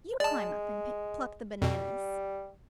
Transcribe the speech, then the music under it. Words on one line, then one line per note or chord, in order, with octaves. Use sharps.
You climb up and pluck the bananas.
G#3 D5 A5
F2 B2 G3